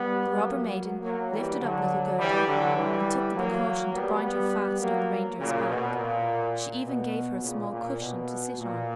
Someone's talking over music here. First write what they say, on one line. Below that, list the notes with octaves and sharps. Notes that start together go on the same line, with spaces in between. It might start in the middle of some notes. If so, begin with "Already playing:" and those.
The robber maiden lifted up little Gerda, and took the precaution to bind her fast on the Reindeer's back; she even gave her a small cushion to sit on.
Already playing: G3 B3
F#3 A#3
F#3 A#3
E3 G3
D3 F#3
E3 G3
D3 F#3
E3 G3
F#3 A#3
G3 B3
G3 B3
F#3 A#3
A#2 C#3
B2
A#2
B2
A#2 C#3
A#2
B2
A#2